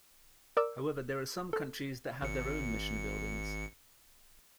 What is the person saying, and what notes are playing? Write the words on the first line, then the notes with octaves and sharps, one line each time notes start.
However, there are some countries that have their own mission buildings.
A#4 D5 D6 E6
A4
G#1 C#7